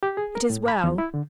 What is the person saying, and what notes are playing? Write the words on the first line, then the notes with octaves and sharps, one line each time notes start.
It is well.
G4
G#4
A#4
A2
B5
E2
E4
D3